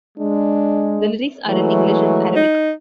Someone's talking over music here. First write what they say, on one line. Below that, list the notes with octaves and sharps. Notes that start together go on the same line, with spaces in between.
The lyrics are in English and Arabic.
G#3 D4
E3 F#3 G#3 A3
D#4